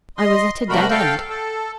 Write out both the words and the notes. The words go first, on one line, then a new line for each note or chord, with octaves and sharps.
I was at a dead end.
D#5 C6
C3 G3 A3 F#4 A#4 B5
A4 F5 G5
A4